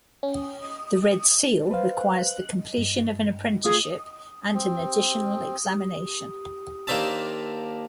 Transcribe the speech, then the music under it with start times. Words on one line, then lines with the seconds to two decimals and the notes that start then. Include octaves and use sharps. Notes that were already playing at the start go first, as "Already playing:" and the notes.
The Red Seal requires the completion of an apprenticeship and an additional examination.
0.23 C#4
1.71 B4 C5 F5
2.78 G2
3.65 A3 F4 G#4 D#6
4.54 C4
6.87 D#2 A#3 D4 C5 E5 A5